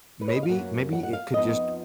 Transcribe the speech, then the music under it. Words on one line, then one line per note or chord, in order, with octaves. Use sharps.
maybe maybe it could just
B4
C#5
D#5
F5
F#2 D#3 F#3 A#3 F#5
F#5
F#5
F5
F2 F3 B3 D#4 D#5